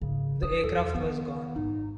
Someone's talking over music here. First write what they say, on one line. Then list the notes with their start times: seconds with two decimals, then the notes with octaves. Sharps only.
The aircraft was gone.
0.02 G#1 C#3
0.43 D4 D#6
0.64 E2 A4
0.95 D#3 B3
1.56 G#1 D#4